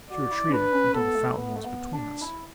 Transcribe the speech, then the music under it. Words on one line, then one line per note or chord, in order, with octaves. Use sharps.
She retreated until the fountain was between us.
F#4 D5
E4
C#4
D4 B4
C#4
B3 A4
B3
A3
B3
A3
B3
D4
E4